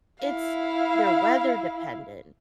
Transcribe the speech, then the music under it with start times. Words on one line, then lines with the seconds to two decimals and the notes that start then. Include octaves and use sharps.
It's they're weather-dependent.
0.22 E4 F5